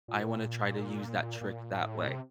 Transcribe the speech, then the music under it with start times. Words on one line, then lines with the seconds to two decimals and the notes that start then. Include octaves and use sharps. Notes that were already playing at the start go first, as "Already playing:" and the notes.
I wanna try to use that trick that way."
0.08 A#2
1.41 A#2
1.75 A2
2.08 C3